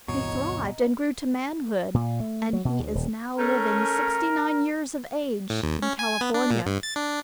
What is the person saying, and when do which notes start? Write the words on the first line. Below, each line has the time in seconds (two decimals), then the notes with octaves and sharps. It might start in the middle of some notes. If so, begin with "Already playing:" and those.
He thrived and grew to manhood and he is now living, sixty-nine years of age, in California.
0.08 D1 G2 B2 E3 C#5 D#5 A#5
1.94 A#2
2.20 A3
2.53 F#3
2.65 B2
2.80 D2
2.95 D#1
3.38 A3 C#4 A#4
5.50 A2
5.63 D#2
5.82 C#4
5.99 G#5
6.21 B3
6.34 D4
6.51 A#2
6.66 G2
6.83 A6
6.96 D4